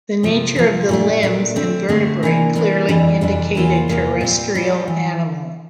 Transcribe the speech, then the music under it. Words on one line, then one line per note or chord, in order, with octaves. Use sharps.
The nature of the limbs and vertebrae clearly indicate a terrestrial animal.
C3 F3 C4
C3 F3 C4
A#2 A3 D4
A#2 A3 D4
D3 A3 C4
D3 A3 C4
C3 E3 A#3 D4
C3 E3 A#3 D4
F2 C3 E3 G3 D4
F2 C3 E3 G3 D4
E2 C3 E3 A#3 F4
E2 C3 E3 A#3 F4
A#2 G3 C4 F4
A#2 G3 C4 F4
E3